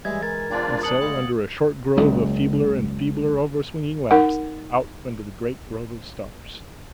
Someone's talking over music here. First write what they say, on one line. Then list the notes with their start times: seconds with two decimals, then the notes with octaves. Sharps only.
And so, under a short grove of feebler and feebler over-swinging lamps, out under the great grove of stars.
0.05 E3 G3 G#3 D#5 E5 G#6
0.23 A#4 A6
0.51 E2 G#2 D4 F4 D5 G5
0.83 D4 D#6 C#7 F#7
1.00 D2 G3 G#3 F5 F#5
1.97 F#1 C#2 F#2
4.11 D#4 A#4 F#5